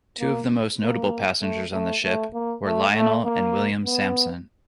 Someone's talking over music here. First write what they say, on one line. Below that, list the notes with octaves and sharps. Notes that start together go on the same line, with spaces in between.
Two of the most notable passengers on the ship were Lionel and William Samson.
A#3
A#3
A3
A3
A3
A#3
A3
A3
A#3
B3